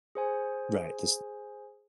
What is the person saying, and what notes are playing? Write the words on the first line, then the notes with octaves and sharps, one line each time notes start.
Right, this
G#4 C5 G#5